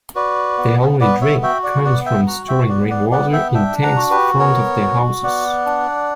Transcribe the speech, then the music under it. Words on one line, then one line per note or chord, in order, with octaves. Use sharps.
Their only drink comes from storing rain water in tanks front of their houses.
F#4 B4 D5
B3
B3 B4 D5
C#5 E5
F#4 E5 G5
D5 F#5
B3 D5 F#5
E5 G5
F#4 F#5 A#5
E5 G5
B3 D5 F#5
D5 F#5
B3 D5 F#5
E5 G5
D4 E5 G5
F#5 A#5
F#4
G4 B4
B3 A#4 C#5
F#4
B3 D5 F#5
D4